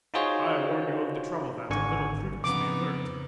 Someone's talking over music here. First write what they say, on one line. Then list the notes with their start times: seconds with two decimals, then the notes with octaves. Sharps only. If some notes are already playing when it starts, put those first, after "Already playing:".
I warn you of the trouble that a little prudence may avert.
0.14 D#4 F4 F#4 G#4 C5 C#5
1.70 G#1 D3 G#5 C#6
2.44 F2 C#3 B3 D#4 D6